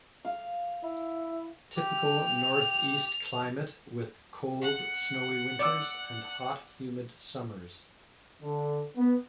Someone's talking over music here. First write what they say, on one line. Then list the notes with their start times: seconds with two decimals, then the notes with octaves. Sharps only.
Typical Northeast climate with cold, snowy winters and hot humid summers.
0.25 F5
0.83 E4
1.76 G4 F7
4.61 F#5
5.59 D5 D6 E6
8.42 D3
8.96 B3